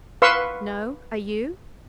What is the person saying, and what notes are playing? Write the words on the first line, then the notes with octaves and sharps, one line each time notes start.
"No; are you?"
B4 F5 C6 C#6 E6